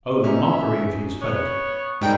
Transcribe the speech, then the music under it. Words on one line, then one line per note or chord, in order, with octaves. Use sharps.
Oh, the mockery of his fate!
C#4 D#4 E5
B3 C#5
G#2 G3 D#4 A#4 G5